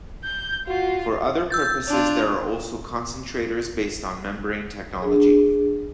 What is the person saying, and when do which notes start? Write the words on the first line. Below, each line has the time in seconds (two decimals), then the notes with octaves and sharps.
For other purposes there are also concentrators based on membrane technology.
0.24 G6
0.68 F4 F#4
1.50 E6 G6 A6
1.87 D4 F4
5.02 D4 G#4